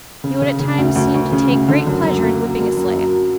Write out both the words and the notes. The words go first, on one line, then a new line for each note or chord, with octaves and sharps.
He would at times seem to take great pleasure in whipping a slave.
C#3
C#3
C#3
D2
D2
D2
C#3
D2
D3
F#2
F#2
A#3
F#3
A#3
F#2
F#3